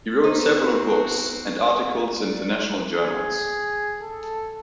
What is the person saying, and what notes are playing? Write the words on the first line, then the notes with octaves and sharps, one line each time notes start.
He wrote several books and articles in international journals.
B3 C4 D#4 F#4 B4 C5
D5
G#4
A4